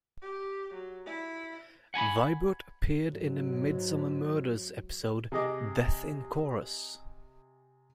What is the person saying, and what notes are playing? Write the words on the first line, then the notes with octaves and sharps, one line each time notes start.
Vibert appeared in the "Midsomer Murders" episode "Death in Chorus".
G4
F#3
E4
F#5 G#5 A#5 B5
G#2 F#3
C3 G#4 D#5 D6